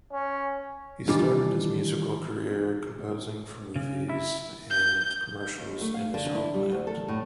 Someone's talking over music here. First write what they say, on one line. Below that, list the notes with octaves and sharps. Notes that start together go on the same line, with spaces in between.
He started his musical career composing for movies and commercials in his homeland.
C#4
D#3 E3 G3 D4 F4
C#3
E4
G6
D#2
A3
F5
D3
E4
G3
D2
A4
A2